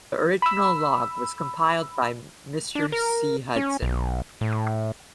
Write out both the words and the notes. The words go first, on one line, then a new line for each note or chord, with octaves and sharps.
The original log was compiled by Mr C. Hudson.
B5 E6
D4
A#4
C#4
B1
A2